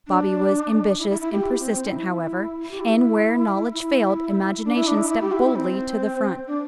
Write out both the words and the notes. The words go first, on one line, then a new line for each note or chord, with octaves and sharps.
Bobby was ambitious and persistent, however, and where knowledge failed, imagination stepped boldly to the front.
D4
E4
E4
E4
G4
E4
C4
C4
E4
G4
E4
E4
D4
E4
D4
E4
E4
G4
E4
E4
C4
D4